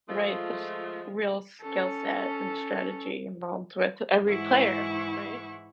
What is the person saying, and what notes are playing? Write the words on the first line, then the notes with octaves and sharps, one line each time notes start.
Right, there's real skill set, and strategy involved with every player, right?
F3 G#3 A3 F4
C#4 A4
G#2 E3 G#3 E4 F#5 C#6